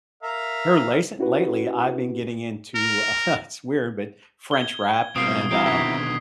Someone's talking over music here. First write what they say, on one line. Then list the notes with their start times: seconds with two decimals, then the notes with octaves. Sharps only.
here, lasely lately, I've been getting into, uh, it's weird, but French rap and, um,
0.23 A#4 E5 F5
1.19 C#4 E4 F#4 G4 B4
2.76 A#4
4.51 G#6 G7
5.16 B2 G3 A#3 C4 F4 D#6 C7 D7
5.51 F3 C4 E4 F#4 G4 A#5
5.66 B2 D3 D#3 G#6 B6